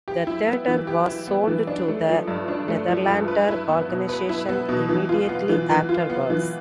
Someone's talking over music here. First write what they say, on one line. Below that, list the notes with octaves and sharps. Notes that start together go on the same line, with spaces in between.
The theatre was sold to the Nederlander Organization immediately afterwards.
G4
E4
B3
E3
G4
E4
B3
E3
D4
A3
F3
G2
D4
A3
F3
G2
B4
E4
B3
B2
B4
E4
B3
B2
E3
F4
B3
E3
E3
F4
B3
E3